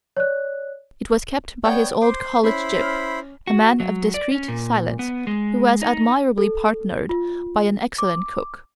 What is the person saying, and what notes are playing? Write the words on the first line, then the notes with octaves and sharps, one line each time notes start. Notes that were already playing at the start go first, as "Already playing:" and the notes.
It was kept by his old college gyp, a man of discreet silence, who was admirably partnered by an excellent cook.
C#5 D5 F#6
B3 C#5 D5 F#5 G5 G6
C5 D6
C#4 E4 C5 B5
C#4 F6
F#4
F#3
D5
C#4
A#2
B3
G#3
D#4
A4
F4
D6